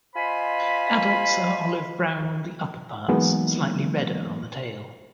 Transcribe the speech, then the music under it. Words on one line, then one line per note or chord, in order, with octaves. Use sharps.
Adults are olive-brown on the upperparts, slightly redder on the tail.
F4 C5 D#5 G#5 B5
E3 F#3 G#3 A#3 B3 D#4